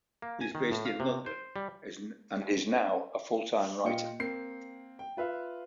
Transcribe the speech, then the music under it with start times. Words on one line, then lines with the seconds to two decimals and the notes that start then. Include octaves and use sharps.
He is based in London and is now a full-time writer.
0.22 A#3
0.41 G#5
0.55 D#3
0.71 A2
0.86 F5
1.00 C3
1.26 C5
1.56 G3
3.85 A#2 F4 D#5 G5 C#7
4.20 A#3 C4 C7
4.99 G5
5.17 F4 B4 E5 F5